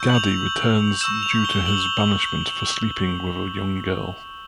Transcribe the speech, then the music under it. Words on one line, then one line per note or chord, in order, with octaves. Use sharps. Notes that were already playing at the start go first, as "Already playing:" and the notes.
Gadi returns due to his banishment for sleeping with a young girl.
Already playing: C#6 E6 G6
F#7
F7
C#6 E6 G6 E7
F7
G7
F#7